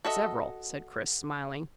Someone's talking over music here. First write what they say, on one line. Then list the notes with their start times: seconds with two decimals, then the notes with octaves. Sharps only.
"Several," said Chris, smiling.
0.05 F#4 A4 D#5 E5